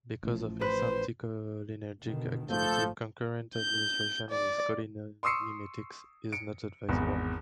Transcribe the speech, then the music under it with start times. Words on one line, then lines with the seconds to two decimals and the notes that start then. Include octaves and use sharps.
Because of its anticholinergic activity, concurrent administration with cholinomimetics is not advisable.
0.23 A1 A2 F3
0.61 B4 C5
2.03 B2 D3 D#3
2.50 G#1 F3 A3 A4 G6
3.57 G6
4.31 D5
5.23 C6 C#6 D#6 E6 C7 C#7
6.32 C#7 D7
6.89 G#1 E2